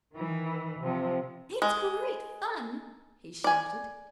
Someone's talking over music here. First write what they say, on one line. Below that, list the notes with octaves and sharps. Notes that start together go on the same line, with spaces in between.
"It's great fun," he shouted.
D#3 E3
C3 F3
G#3
D5 G#5